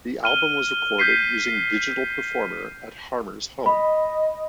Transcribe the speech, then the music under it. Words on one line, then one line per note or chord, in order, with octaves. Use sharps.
The album was recorded using Digital Performer at Harmer's home.
F6 D#7 G7
G6 B6 C7 D#7
D#5 B5